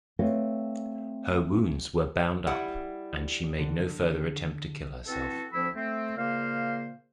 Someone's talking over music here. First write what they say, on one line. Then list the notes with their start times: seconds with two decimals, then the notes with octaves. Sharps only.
Her wounds were bound up and she made no further attempt to kill herself.
0.19 A3 C4 B4 C#5 D#5 F5
2.47 G3 E4 F#5
3.58 D3
5.07 B3 C4 E4 F#4 A4
5.53 D2 F3 C4 E4 B5 E6
5.75 A3 C4
6.17 A#2 C#3 A#3 C5 F5